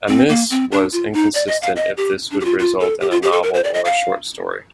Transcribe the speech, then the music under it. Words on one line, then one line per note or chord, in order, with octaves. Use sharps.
Amis was inconsistent if this would result in a novel or a short story.
C4
A#3
C4
D4
F4
D#4
D5
D#5
F5
D#5
G4
D4
G4
F4
F4
A4
G4
F4
G4
A4
A#4
C5
D5
D#5
F5